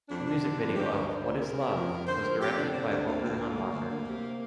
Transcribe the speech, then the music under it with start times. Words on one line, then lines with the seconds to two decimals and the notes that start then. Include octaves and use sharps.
The music video of "What Is Love" was directed by Volker Hannwacker.
0.09 F2 D4
0.26 D3
0.42 D3
0.59 F2
0.75 D3 G4
0.92 D2 A#4
1.08 D3 C5
1.25 D2 C5
1.42 C3 A#4
1.57 C3
1.74 F2
1.91 F2
2.07 D3 C5
2.24 F2 A#4
2.40 F2 G4
2.57 D3 D4
2.73 D3 C4
2.90 D2
3.07 D2 A#3
3.23 D2
3.40 D3
3.56 D3
3.73 D2
3.89 D2
4.06 C3